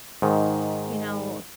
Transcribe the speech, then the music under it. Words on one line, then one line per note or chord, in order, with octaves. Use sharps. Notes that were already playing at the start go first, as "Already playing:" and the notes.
you know,
G#2 D#3